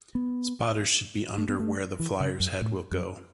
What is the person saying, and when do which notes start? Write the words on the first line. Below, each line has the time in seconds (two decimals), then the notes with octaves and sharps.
Spotters should be under where the flyer's head will go.
0.15 B3
1.38 A3
1.49 B3
1.60 A3
2.00 E3
2.20 C#3
2.40 F#2
2.61 A2
2.92 F#2